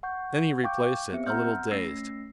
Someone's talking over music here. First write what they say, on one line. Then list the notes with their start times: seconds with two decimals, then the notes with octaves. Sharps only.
Then he replaced it, a little dazed.
0.03 F#5 C#6 G6
0.63 F5 G5 C#6 D6 G6
1.12 B3 C4 G4 E5 C#7
1.26 F#5 A#5 C6 E6 F6 G6
1.71 A3 C#4 E6 A#6 C7